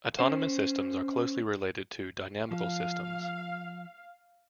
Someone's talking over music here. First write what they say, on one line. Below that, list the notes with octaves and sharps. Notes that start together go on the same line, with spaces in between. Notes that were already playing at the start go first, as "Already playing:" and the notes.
Autonomous systems are closely related to dynamical systems.
C#4 C5
F3 F5